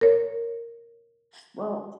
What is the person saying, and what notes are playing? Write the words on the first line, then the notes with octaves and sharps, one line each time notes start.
S well
A#4 C#5